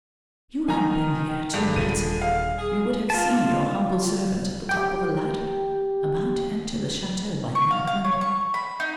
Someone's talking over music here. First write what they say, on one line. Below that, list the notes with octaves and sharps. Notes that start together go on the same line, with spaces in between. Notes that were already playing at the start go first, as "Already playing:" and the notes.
"If you had been here, two nights ago, you would have seen your humble servant at the top of a ladder, about to enter the chateau by that window."
D#3 F3 G#5 A#5
G2 D3 D4 G#4
D#1 G3 D#7
F5
G#4
F4 A5
G4 G5
C#6
F5
F5
C#5
C#6
B5
D#4